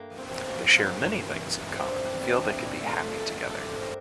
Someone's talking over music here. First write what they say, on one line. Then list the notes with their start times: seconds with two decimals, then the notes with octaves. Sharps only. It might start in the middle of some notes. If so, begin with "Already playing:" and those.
They share many things in common and feel they could be happy together.
Already playing: G2 A3 A#3
0.10 F3
0.18 C4
0.33 F3
0.48 A#3
0.56 F3
0.78 G2 F4
1.01 G2
1.23 E3
1.46 E3
1.68 G3 C4
1.80 C4
1.91 G3 D4
2.13 E3 C4
2.36 E3 D4
2.58 A#2 E4
2.81 A3
2.88 F4
3.03 A3
3.19 A4
3.26 A3
3.48 G2 A4
3.59 D5
3.69 G2 C5
3.79 A#4